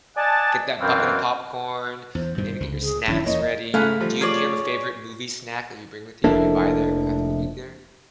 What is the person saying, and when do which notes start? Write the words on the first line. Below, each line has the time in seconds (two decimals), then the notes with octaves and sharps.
Get that bucket of popcorn, maybe get your snacks ready. Do you do you have a favorite movie snack that you bring with you or you buy there at the movie theater?
0.16 D5 D#5 F#5 G#5 A5
0.80 F#2 B2 E3 C4 F5 G5
2.15 E2 C5
2.38 G2 B2 D#3
2.61 C#2 D3
2.83 G#4
3.07 E1 F2 D3 C#4 E4
3.26 E2 A#3 C#5 D#5
3.74 G#2 C#3 A3 F5 F#5 G#5 B5
4.00 F3 G3
4.21 F3 F4 G#4 C#5 D5
6.24 F1 F3 A#3 D4 E4 A4